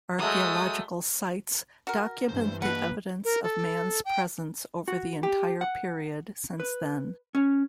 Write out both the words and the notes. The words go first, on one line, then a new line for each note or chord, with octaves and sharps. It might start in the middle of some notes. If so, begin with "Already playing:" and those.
Archeological sites document the evidence of man's presence over the entire period since then.
F#3 G#3 A3 D#6
F#4 A#4
G2 E3 C5
B2 A#3 B4 F#5 A5
A#4
A4
G5
F#4
G4
F#5
B4
C#4